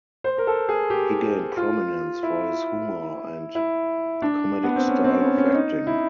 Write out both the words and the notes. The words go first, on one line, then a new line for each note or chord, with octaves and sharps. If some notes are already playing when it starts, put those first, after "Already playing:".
He gained prominence for his humor and comedic style of acting.
C5
A#4
A4
G#4
G4
F4
E4
E4
D4
B3
C4
C#4
C4
C#4
C#4
D#4
E4